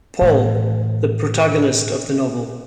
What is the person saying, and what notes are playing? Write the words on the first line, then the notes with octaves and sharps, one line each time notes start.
Paul: The protagonist of the novel.
A2 E3